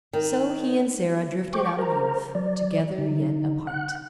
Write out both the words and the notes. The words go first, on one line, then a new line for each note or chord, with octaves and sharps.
So he and Sara drifted out of youth, together yet apart.
D#3
C5 G5 C#6 D6
A#4 C5 A#5
F#3 D5
D3 D#4
F#5 F#6